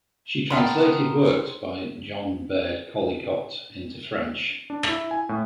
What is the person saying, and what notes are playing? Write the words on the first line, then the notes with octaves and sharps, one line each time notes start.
She translated works by John Baird Callicott into French.
B3 A#4 G5 A5 C6
D4
E4
G#5
A2